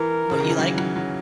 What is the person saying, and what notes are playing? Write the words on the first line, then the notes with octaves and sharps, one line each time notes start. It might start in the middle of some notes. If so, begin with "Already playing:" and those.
what you like?
Already playing: E3 A#4
C#3
D#3
E3
F#3 C#4
F#3
F#3